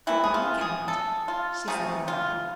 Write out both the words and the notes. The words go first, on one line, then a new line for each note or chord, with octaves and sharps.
"Good-bye, Count," she said aloud.
C3 E3 A3 E4
G#4
F4
G#4
A4
F4
C3 F3 A3 G#4
F4